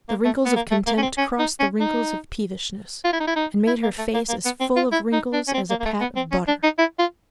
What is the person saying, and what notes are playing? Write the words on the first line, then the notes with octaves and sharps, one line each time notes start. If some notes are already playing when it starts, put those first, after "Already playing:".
The wrinkles of contempt crossed the wrinkles of peevishness, and made her face as full of wrinkles as a pat of butter.
A#3
A3
B3
A#3
A3
A#3
C#4
C4
C#4
D#4
C#4
D#4
F4
E4
D#4
E4
D#4
E4
A#3
A3
A#3
A#3
B3
C4
F4
E4
D#4
D4
C#4
C4
A#3
A#3
A3
B3
C4
C#4
D4
D#4
E4
F4